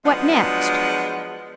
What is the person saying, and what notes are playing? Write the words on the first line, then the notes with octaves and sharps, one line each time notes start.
"What next?"
F3 F#3 G#3 B3 D4